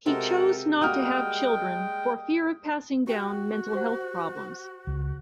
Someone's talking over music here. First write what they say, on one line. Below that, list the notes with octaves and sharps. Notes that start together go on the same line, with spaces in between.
He chose not to have children for fear of passing down mental health problems.
C3 G#3 F#4 A4 A#4
G3 G#3 A#3 F#4 G5 D#6 F6
F#4 G4 G5
G4 C5 F#5
C#2